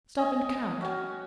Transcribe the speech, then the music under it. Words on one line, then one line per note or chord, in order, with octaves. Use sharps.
Stop and count.
D#5 G#5
C#4 F#4 G5 G#5